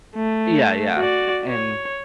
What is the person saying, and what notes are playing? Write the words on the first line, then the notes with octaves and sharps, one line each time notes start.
Yeah, yeah, and
A3
F#4 D5
C#5